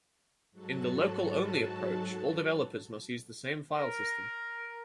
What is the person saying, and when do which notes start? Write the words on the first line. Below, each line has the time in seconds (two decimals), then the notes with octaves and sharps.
In the local-only approach, all developers must use the same file system.
0.51 G#2 F#3 F#4 A4 A5
3.72 A#4